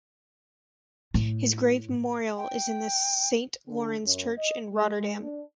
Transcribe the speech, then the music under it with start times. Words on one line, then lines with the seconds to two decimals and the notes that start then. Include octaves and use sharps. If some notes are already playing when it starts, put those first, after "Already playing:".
His grave memorial is in the Saint Laurens Church in Rotterdam.
1.14 A2
2.37 G5
3.68 D3
4.05 F#2
4.37 D#5
4.72 G#3
5.23 D4